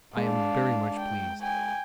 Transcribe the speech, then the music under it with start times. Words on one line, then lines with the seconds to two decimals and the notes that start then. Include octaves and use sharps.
I am very much pleased.
0.17 G#3 D4 F5
1.00 G5
1.42 G5 G#5